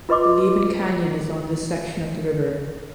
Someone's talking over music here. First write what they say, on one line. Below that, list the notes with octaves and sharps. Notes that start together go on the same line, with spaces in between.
The Leven Canyon is on this section of the river.
F4 B4 D#5 C6 D6